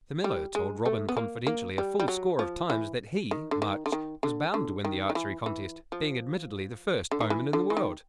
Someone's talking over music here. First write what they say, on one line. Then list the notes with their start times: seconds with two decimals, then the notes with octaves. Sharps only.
The miller told Robin confidentially a full score of times that he, Much, was bound to win the archery contest, being admittedly the first bowman in the world.
0.24 G3
0.55 G#3
0.86 A3
1.09 B3
1.17 A#3
1.47 A#3
1.78 G3
2.00 G3
2.08 F#3
2.39 F3
2.70 E3
3.31 D#3
3.51 D3
3.62 D#3
3.86 D3
3.92 D#3
4.23 D3
4.54 D3
4.85 D#3
5.10 D#3
5.15 E3
5.46 E3
5.92 F3
7.11 D3
7.21 D#3
7.30 E3
7.53 D3
7.70 E3
7.77 D#3